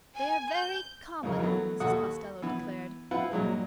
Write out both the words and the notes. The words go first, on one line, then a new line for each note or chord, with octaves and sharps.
"They are very common," Mrs. Costello declared.
G#5
G6
C2 F2 C#3 D#4 A#4
E3 F#3 A3 B3
D#2 F#4 A4 F#5 D#6
E3 B3
C4 E4 F4 B4 F#5
G2 A#2 F#3 G#3